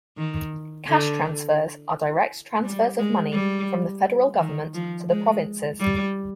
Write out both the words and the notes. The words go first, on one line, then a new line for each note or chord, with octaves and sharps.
Cash transfers are direct transfers of money from the federal government to the provinces.
D#3
D3
G3
G#3
G3
D#3
F3
G#3
G3